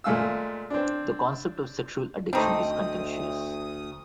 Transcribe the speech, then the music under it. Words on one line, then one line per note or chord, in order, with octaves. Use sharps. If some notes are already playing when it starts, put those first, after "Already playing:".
The concept of sexual addiction is contentious.
A#2 G#3 A3 F5 E6
C4 D4
D2 A3 C4 D4 D#4 D#6